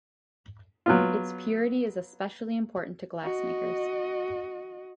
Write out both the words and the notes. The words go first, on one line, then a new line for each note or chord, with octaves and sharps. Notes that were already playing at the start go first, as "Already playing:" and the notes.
Its purity is especially important to glassmakers.
F#3 B3 F4
F#4 D#5